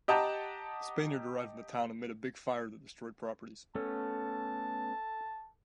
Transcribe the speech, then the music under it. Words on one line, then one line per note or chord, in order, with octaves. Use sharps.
A Spaniard arrived in the town amid a big fire that destroyed properties.
G4 D#5 F#5 A5 A#5 G6
A3 B3 C#4 A4 A5